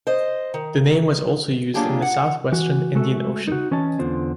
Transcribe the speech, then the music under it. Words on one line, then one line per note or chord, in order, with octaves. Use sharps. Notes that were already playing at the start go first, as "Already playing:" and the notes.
The name was also used in the southwestern Indian Ocean.
C5 D#5
D#3
F#3 A#3 D4 F4 G4 G#4
F#5
E3 F#4
G#3 A3 F#4 A4
D#4 F#4
E3 C#4 C#5 D#5 A5
E2 D3 B3 F4 C5